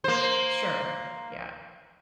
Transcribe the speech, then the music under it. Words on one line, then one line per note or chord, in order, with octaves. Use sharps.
Sure. Yeah.
A#3 C5